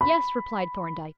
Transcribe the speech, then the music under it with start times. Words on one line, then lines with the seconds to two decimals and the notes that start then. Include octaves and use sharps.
"Yes," replied Thorndyke.
0.01 B5